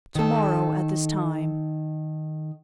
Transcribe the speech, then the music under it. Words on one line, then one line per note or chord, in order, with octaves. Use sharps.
"To-morrow, at this time."
D#3 A4